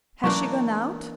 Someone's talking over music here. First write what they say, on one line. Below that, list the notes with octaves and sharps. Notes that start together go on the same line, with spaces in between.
Has she gone out?
E3 F#3 A#3 C#4 D4 A#5 C#6